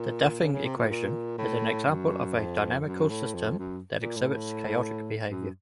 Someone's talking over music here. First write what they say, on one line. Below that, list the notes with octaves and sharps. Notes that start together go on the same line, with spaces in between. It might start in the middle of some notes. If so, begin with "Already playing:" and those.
The Duffing equation is an example of a dynamical system that exhibits chaotic behavior.
Already playing: A#2
C#3
C#3
C3
A#2
A#2
A2
F#2
F2
F#2
A2
F2
F#2
A#2
A2
F#2